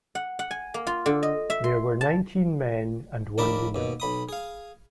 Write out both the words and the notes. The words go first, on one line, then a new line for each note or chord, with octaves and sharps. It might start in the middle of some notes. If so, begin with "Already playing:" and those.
There were nineteen men and one woman.
F#5
F#5
G#5
A#3
F4
D3
D#5
E5
C6
A5
A#1 D#2 D4 A#4 A5 B5
D#2 B2
B1 B5 D#6
G#4 F5